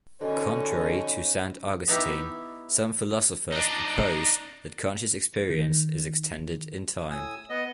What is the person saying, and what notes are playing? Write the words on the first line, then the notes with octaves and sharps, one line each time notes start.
Contrary to Saint Augustine, some philosophers propose that conscious experience is extended in time.
B2 D3 C#4 D#4
B3 D#4 E4 G4
D4 D#4
D#3
A2 G#5 D#6 E6
B3 D#5